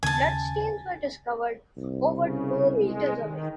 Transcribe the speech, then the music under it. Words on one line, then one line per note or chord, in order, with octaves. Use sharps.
Bloodstains were discovered over two meters away.
D#2 C#3 G#5 A5
C2
C#3
G#3
D#3